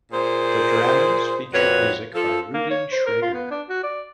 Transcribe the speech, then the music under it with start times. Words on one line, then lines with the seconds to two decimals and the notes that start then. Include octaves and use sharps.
The dramas featured music by Rudy Schrager.
0.12 A#2 G#4 C5
1.53 F2 A#2 F#4 B4 C#5
2.14 F3 A4
2.54 A#3
2.70 C#5
2.92 C5
3.06 A#4
3.22 F4
3.34 B3
3.51 D4
3.69 F#4
3.83 D5